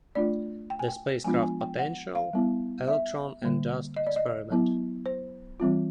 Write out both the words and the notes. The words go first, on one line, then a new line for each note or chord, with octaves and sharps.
The Spacecraft Potential, Electron and Dust Experiment.
A3 D4 F4 D5
G5
G#5
G5
F3 G#3 B3 D4 F4 G#5
G#5
G5
F#5
F5
G3 B3 E4
E5
D3 G3 A#3
D#5
D5
D#5
F#3 B3 E4
C5
E3 G3 C4 F4